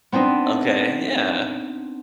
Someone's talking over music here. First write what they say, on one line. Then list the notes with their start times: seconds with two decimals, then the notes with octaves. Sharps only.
Okay, yeah.
0.12 B3 C4 D4 D#4